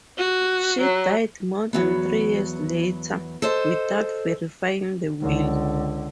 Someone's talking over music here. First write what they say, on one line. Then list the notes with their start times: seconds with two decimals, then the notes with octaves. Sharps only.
She died more than three years later without verifying the will.
0.18 F#4
0.81 F#3
1.73 E2 F#3 B3
3.42 A4 C5 D#5
5.20 C#2 D3